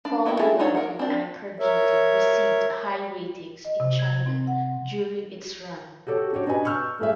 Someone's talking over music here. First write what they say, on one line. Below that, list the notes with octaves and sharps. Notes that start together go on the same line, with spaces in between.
"Fall in Love with Anchor Beauty" received high ratings in China during its run.
D4
B3 E4 F#4 D#5 G5
E4 F4 G#4 A4 E5
D4 D#4 A4 C#5
A#4 F#5
C4 D4
A#4 C#5 E5
D#5
C3
G#6
C4
F#5
F#4 G4 A4 C#5
D4 F#4 G4 C#5
D4 B4 D#5 G#5
C#6 E6 F6 G6
G3 A3 F4 G#4 E5